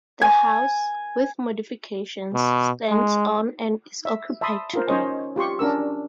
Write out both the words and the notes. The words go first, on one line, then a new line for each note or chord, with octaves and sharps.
The house, with modifications, stands on and is occupied today.
G#5
B2
G#3
E5
E5 A5 B5 C6 D#6
F4 A#4 C5
C#4 D#4 C5 C#5 D#5 G#5
F4 G4 C6 C#6
C#4 D4 A#4 E6